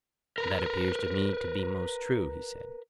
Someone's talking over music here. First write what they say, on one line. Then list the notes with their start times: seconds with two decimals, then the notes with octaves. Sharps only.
That appears to me to be most true, he said.
0.38 A#4 B4